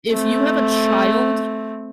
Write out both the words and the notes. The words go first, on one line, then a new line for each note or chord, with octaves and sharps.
If you have a child
A3 C4